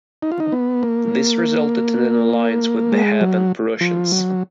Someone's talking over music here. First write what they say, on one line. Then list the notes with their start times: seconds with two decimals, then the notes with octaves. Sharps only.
This resulted in an alliance with the heathen Prussians.
0.22 D#4
0.32 F4
0.40 D#4
0.52 B3
0.83 A#3
2.92 G#3
3.21 F#3
3.81 F3
4.12 F#3